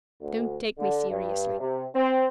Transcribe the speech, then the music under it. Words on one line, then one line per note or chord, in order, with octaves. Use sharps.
Don't take me seriously.
D2
D3
G2
C3
C4